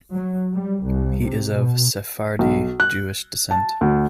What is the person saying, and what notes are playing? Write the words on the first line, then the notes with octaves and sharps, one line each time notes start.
He is of Sephardi Jewish descent.
F#3
G3
C2
C3
B2
B1
F#6
A5
D2